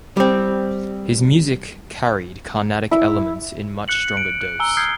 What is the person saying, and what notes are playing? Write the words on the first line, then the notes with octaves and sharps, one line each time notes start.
His music carried Carnatic elements in much stronger dose.
G3 C4
E4
F#6 C#7 F#7
D7
F#6
G#5 A#5 E6 G7
D#6 F6 G6 G#6 C7 C#7